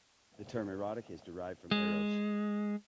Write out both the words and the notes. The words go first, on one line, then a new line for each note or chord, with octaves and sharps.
The term "erotic" is derived from "eros".
G#3